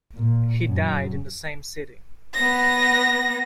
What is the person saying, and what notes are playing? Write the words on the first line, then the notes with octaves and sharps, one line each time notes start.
He died in the same city.
A#2
F#2
B3 A#6